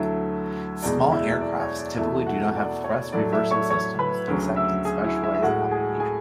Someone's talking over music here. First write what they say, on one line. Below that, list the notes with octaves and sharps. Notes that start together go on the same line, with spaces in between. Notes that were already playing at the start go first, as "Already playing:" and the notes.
Small aircraft typically do not have thrust reversal systems, except in specialized applications.
Already playing: D2 D3 F#3 A3 E4 E5
E2 B2 G#3 D5
E4 E5
D5
C#5
D5
E2 B2 A3 E4 E5
F#4 F#5
D5
C#5
A2 F#3 A3 D5
E4 E5
C#5 C#6
C#5 C#6
B4 B5
D2 C#3 F#3
E5 E6
G#4 G#5
E4 E5
E4 E5
E5
A2 F#4 F#5
G#3
G#4 G#5
G#4 G#5